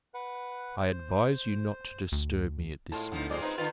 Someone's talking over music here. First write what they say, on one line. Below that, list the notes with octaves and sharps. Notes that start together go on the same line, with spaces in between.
"I advise you not to disturb me at this moment."
B4 F#5
C5
D2
A2 G#3 F4 A5
D3 F3 B3 D#4
F2 G#3 C4 D#4 F4 G#4 D5
D#4 B4 C5
D3 D#3 F4 B4